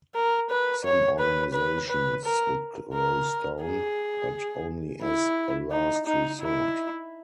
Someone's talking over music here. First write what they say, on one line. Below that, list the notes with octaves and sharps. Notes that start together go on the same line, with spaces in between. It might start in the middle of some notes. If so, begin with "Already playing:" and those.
Some organizations would close down, but only as a last resort.
A#4
B4
C#5
B4
B4
B4
A#4
A#4
G#4
E4
D#4
D#4
E4